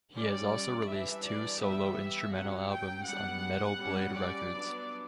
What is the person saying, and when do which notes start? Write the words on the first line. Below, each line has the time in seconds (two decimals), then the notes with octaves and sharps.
He has also released two solo instrumental albums on Metal Blade Records.
0.15 G3 C#4 D5
0.88 E3 G3 D4 E5
1.25 D5
1.60 E3 G3 B3 E5
2.33 F#3 C#4 F#5
2.69 G5
3.06 G3 B3 D4 F#5
3.78 G3 C#4
4.14 D5
4.51 F#3 B3 D4